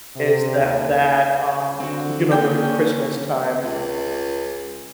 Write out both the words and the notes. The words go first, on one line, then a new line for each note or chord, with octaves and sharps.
is that that, um, you know, during Christmas time,
C3
D#2
D3 C4 F#4
A#3 C#4 G5
C#2